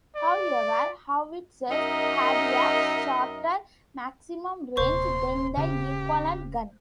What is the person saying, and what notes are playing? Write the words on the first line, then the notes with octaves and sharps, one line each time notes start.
However, howitzers had a shorter maximum range than the equivalent gun.
D5
F#2 D#4 A#4 D#5 E5
D#1 C3 C5 C6 C#6
C#3 G4